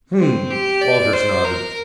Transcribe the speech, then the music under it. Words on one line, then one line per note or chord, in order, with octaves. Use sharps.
"Hmm," Walters nodded.
C4
G4
D5
C5
A#4